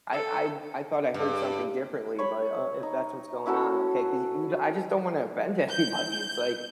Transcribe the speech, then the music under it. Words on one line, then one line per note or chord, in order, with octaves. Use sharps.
"I I I thought I heard something differently, but, uh, if that's what's going on, okay," 'cause you I just don't wanna offend anybody, it's like
A4
G2
C#5 B5
D#4
C#4 E4 F#4 A4
G6